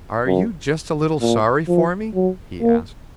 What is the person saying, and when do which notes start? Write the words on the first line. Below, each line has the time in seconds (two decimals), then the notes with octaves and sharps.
"Are you just a little sorry for me?" he asked.
0.26 F#2
1.21 A#2
1.68 F3
2.14 F#3
2.61 A#3